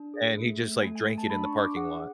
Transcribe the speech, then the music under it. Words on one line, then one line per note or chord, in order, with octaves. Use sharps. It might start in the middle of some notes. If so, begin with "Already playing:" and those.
and he just, like, drank it in the parking lot.
Already playing: D4
G#4
A3
A3
A3 G#5
G#5
A3 G#5
A5
D4 B5
C#6
D4
D6
G#4 F#5